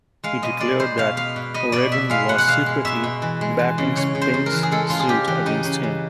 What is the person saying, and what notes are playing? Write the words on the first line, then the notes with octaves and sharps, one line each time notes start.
He declared that O'Regan was secretly backing Spink's suit against him.
G#3 F5
B2 D#5
G#3 D5
B3 C5
B2 F5
B3 F5
B2
B3 D#5
B2 D5
B3 E5
G#3 F5
B2 F#5
F#5
B2 F5
G#3
B2 E5
B2
E3
G#3
E3
C#3
C#3 C#5
C#3
C5
C#3
A#4
E3
G#4
G#3 A4
C#3 F4
G#4
C#3 G4
E3 G4
C#3 D#4
C#3
E3